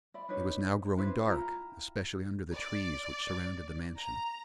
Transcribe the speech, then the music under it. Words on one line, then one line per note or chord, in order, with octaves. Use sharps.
It was now growing dark, especially under the trees which surrounded the mansion.
D5 E5 B5
D4 D#4 B4 C#5
D4 E4 B4 C5
E4 F4 G5 A#5
D5
A#5